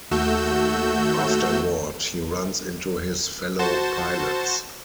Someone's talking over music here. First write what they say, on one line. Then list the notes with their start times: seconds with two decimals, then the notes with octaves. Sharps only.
Afterward, he runs into his fellow pilots.
0.11 D#2 A3 F#4 E6 G6
3.59 F#4 C5 A5